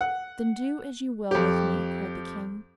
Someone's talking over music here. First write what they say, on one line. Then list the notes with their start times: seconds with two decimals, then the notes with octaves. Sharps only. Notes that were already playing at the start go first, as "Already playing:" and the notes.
"Then do as you will with me!" cried the king.
0.01 F#5
1.31 F2 G4